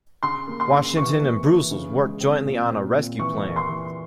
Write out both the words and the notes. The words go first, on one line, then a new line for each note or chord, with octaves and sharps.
Washington and Brussels worked jointly on a rescue plan.
C#3 C6
A#3
C6
C#3
E3 C#6
A#3
E3
C#3
G#3
C4
A#2
C4
A#2
E3 C#6
A#3
C6
E3